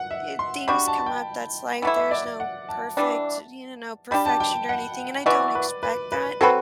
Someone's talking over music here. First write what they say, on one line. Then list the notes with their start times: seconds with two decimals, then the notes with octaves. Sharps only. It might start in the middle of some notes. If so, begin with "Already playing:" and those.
eh, things come up, that's life, there's no perfect, you know, perfection or anything, and I don't expect that,
Already playing: F#5
0.11 E5
0.39 C6
0.68 G3 D4 F#4 B5
0.87 A5
0.98 A5
1.06 G5
1.82 E3 A3 E4 F#5
1.97 E5
2.11 D5
2.26 E5
2.40 F#5
2.69 A5
2.97 E3 G3 D4
4.11 G3 D4 G4 B5
4.26 A5
4.40 G5
4.69 F#5
5.26 E3 B3 F#4 D5
5.55 B4
5.83 B4
6.12 B4
6.41 F#3 C4 F#4 A4 B4